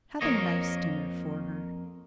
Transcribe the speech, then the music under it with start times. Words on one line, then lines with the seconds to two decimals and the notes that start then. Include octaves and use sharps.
Have a nice dinner for her.
0.21 F2 A#3 C#5 D#5